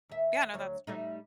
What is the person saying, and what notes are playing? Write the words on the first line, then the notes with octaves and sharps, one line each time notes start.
Yeah. No, that's true.
D#2 E5
D2 F#3 C#5
G3 A3 D#4